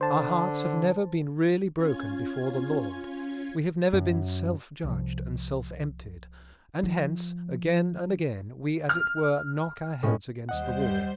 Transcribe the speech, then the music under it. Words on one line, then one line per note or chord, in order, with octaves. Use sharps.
Our hearts have never been really broken before the Lord; we have never been self-judged and self-emptied; and hence, again and again, we, as it were, knock our heads against the wall.
D3 C5 A5
C#4 F4 G#6
F#2
C2 C3 F3
F3
F6
A2 G#3 C#4
D#2 G3 C5 D#5 F#5 G6